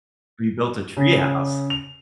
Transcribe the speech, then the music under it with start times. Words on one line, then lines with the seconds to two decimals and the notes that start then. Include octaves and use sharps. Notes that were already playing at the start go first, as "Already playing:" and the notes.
We built a tree house.
0.97 C#3
1.70 F7